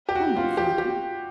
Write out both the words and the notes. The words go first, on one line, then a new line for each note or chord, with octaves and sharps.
"I'm not frightened."
G4
F#4
F4
G4
G4